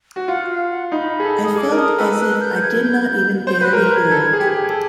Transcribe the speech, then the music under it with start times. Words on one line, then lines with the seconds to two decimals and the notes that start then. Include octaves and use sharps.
I felt as if I did not even dare to hear it.
0.16 F#4
0.27 F4 F#5
0.50 F5
0.70 F#5
0.91 D#4 B5
1.20 G#4
1.24 A4
1.44 D#6
1.56 G#4 D6
1.71 A#4
1.77 A4 D#6
1.98 B4 E6
2.20 F#6
2.41 G6
2.62 G#6
2.83 G6
3.47 C5 G6
3.61 B4 F#6
3.73 A#4
3.79 G6
3.86 B4
3.95 G#6
4.11 A4
4.33 G#4
4.39 G4
4.47 G#4
4.54 G4
4.70 A4